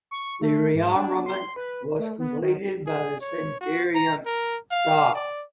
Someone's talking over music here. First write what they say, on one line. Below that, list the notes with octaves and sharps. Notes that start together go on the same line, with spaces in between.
The rearmament was completed by the Centurion stock.
C#6
A3
G#2
D4
C6
B4
A3
B3
D#3
G#4
C#5
F#4
A#5
A#4
F5
D5